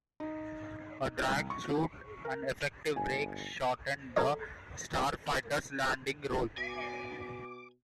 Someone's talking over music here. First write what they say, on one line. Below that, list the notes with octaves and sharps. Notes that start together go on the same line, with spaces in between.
A drag chute and effective brakes shortened the Starfighter's landing roll.
D#4
C2
C#6
A#4
G1 G#5
A4 A#4 C#5 D#5
B2 G#5 D6